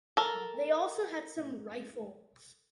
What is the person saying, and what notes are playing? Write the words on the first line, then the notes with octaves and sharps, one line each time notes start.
They also had some rifles.
A4 A#4